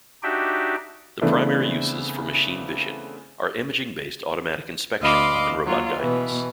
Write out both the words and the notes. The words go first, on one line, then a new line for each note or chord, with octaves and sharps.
The primary uses for machine vision are imaging-based automatic inspection and robot guidance.
D4 D#4 F#4 G4 E5 G5
C#3 E3 A3 B3 C4 D4
D2 D#5 F5 B5 C6 D6
D#2 F#3 F4
B2 E3